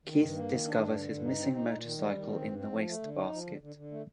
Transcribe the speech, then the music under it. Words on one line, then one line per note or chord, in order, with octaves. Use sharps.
Keith discovers his missing motorcycle in the wastebasket.
D#3
G2
A#3
D#3
D4
G2
D3
G2
D#4
C4
D#4
A#2
D#3
G3
D#3
C4
G2
C4
F3
A3
D3
D#4
F3
D3
D3
D3
A3